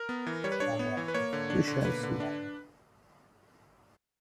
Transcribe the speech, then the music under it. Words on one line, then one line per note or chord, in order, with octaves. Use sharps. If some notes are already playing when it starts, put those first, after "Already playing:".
We shall see.
Already playing: A#4
B3
E3
G3 C#5
B4
D4 C#5
B3
E3
B4
A#3 C#5
D3
D4
D3
A#3 B4
D3
D4